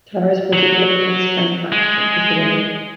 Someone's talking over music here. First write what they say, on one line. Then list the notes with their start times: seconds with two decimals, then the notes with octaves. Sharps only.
Talavera supported Philip the Fifth's French faction, which was the winner.
0.53 F#3
1.72 G#3